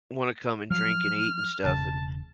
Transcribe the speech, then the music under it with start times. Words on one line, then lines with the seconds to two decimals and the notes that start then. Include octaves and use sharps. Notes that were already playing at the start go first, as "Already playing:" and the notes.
wanna come and drink and eat and stuff. And,
0.70 F3 F#3 F6
1.64 E1 C#3 A5